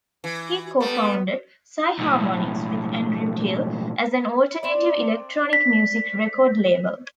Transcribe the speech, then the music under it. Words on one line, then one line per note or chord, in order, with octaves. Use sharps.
He co-founded, Psy-Harmonics, with Andrew Till, as an alternative electronic music record label.
E3
G3 A3 B3
B1 A2
C4 D4 D5
B6